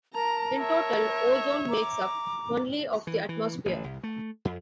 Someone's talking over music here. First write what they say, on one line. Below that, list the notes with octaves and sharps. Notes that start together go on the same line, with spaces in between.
In total, ozone makes up only of the atmosphere.
A#4 A5 A#5
C#5 E5
A#5 D6
E3
E3
A1
C2
A3
F2